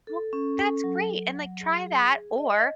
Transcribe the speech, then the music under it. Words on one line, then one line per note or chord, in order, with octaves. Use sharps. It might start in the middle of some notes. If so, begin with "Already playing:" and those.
Well, that's great. And, like, try that, or
A4
C#4
A4
F#3
F#3
F#3
G#4
G#4
G#4
D#5